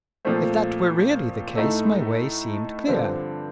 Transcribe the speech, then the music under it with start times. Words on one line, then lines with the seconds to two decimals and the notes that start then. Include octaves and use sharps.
If that were really the case my way seemed clear.
0.25 A#2 F3 A3 C4
1.56 A2 A3 D#4 A4
2.87 G2 D3 F3 C4